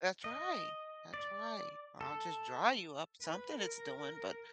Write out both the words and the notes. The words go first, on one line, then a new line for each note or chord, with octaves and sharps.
That's right. That's right. Or, "I'll just dry you up." Something it's doing, but
D#5
D5
A4
B4
A#4